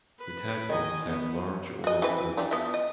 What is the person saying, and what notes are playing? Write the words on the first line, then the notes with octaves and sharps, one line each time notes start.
The tadpoles have large oral discs.
B4
D#3 D#5 G#5
B3
F#4 D#5
E3 C4 B4
E3 G3 D4
B3 F4 E5
D#5